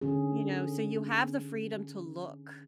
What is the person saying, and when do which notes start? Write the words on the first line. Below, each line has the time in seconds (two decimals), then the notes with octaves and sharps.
you know, so you have the freedom to look,
0.01 D3 C#4 G#4